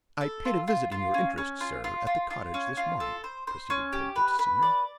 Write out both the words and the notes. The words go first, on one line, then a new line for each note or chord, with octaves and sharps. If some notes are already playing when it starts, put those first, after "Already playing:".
"I paid a visit, in your interests, sir, at the cottage this morning," proceeded Pedgift Senior.
A4
F4
F4
F4
C#4
C#4
F4
F4
F4
F4
C#4
F4
A4
C5
C5
C#4
G4
B4
B4
D5